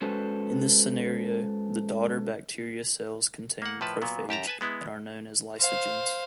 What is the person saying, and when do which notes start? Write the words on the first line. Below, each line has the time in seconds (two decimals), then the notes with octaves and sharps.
In this scenario, the daughter bacteria cells contain prophage and are known as lysogens.
0.02 G#3 C#4 F#4 A4 B4 C5
3.62 A#3 F#5
3.81 A2 F3 B4 A5
4.02 A#2 F#3 B3
4.29 F#2 G4 A5 A#5
4.47 B4 G#5 A5
4.61 G#3 B3 E4
5.59 C5 F5